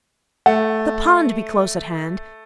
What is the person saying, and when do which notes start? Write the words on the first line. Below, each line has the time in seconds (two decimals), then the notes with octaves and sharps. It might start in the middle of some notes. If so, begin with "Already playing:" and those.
The pond be close at hand.
0.46 A3 F#5